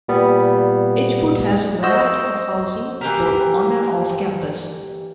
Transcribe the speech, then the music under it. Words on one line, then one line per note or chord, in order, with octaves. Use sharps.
Edgewood has a variety of housing, both on and off campus.
A#2 G3 B3
F#4 C5 D#5 E6
E3 A#3 G4 A#4